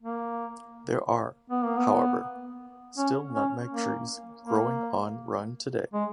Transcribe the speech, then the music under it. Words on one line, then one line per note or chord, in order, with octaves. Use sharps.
There are, however, still nutmeg trees growing on Run today.
A#3
B3
A#3
B3
C#4
C#4
A#3
A#3
G#3